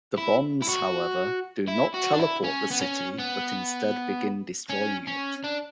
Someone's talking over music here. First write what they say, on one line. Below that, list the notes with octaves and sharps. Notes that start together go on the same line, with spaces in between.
The bombs, however, do not teleport the city but instead begin destroying it.
E4
E4
F#4
E4
F#4
D4
E4
C#4
B3
C#4
B3
C#4
C#4
D4